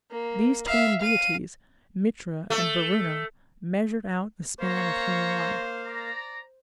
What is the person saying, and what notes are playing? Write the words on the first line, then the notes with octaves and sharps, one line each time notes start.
These twin deities, Mitra and Varuna, measured out the span of human life.
A#3
E5 F5
F5 D#7
A3
A#3 C5 C#5 F5 A#5 C#6
D5 A#5